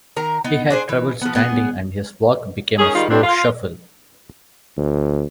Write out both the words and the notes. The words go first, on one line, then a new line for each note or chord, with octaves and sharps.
He had trouble standing, and his walk became a slow shuffle.
D#3 A#4 A#5
B3 D#4
D4 G#4 C5
E3
F3 B3
B3 G#4
D#3 C#4 G#4
D#3 G3 G#3 D#4 F4
G2 B2 G3 C4 D4
F4
D2